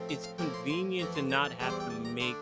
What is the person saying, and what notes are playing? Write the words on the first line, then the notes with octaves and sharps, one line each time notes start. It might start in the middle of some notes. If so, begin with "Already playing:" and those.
it's convenient to not have to make
Already playing: A2 F3 A3 C4
E5
F5
A2 F3 A#3 E4 G5
C6
C6
F2 E3 A3 A#5
C6
A#5
A5
E2 E3 G3 G5
C5
G5
A5
A#5
D3 A3 D4 C6